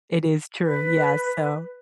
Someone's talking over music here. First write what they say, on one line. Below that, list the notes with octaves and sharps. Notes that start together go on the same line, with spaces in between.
It is true. Yes, so
B4